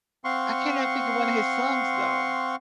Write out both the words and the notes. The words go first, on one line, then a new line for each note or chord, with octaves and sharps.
I cannot think of one of his songs though.
C4 F5 F#5 C6 C#6